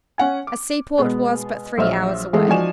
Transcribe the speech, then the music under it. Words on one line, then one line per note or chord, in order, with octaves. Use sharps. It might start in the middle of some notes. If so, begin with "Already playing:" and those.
A seaport was but three hours away.
C#4 F#5 G#5
D6
B2 G#3 B3
A#1 F#3 C5 D#5 E5 F6
E3 G#3 A3 G#4
F3 D#4 F#4 D5 G#5 E7